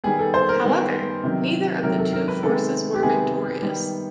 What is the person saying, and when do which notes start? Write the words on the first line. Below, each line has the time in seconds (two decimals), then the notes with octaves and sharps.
However, neither of the two forces were victorious.
0.04 D#3 G3 B3 G#4
0.19 A4
0.34 C5
0.49 A#4
0.63 D#3 G3 B3
1.23 C3 D#3 F#3
1.83 C3 D#3 F#3 A#4
1.98 A4
2.13 A#4
2.28 B4
2.43 C3 D#3 G#3 B3 A4
2.95 G4
3.03 C3 D#3 G#3 B3 G#4
3.62 D#3 G3 B3